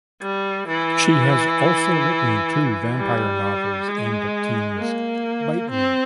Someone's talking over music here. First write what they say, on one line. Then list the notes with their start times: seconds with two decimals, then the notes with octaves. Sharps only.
She has also written two vampire novels aimed at teens, Bite me!
0.22 G3
0.68 E3
2.96 G3
3.88 G#3
4.79 A#3
5.70 C4